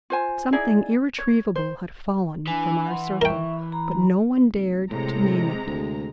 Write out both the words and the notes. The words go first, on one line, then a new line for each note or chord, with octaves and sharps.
Something irretrievable had fallen from our circle. But no one dared to name it.
F4 C5 G#5
D#4 E4 G#4 D5
C#5
C5
E3 D4 G#5
F#5 C6
A#4 E5 G5 C#6
A#5 B5
F1
A2 C3 G#3 A#5
D2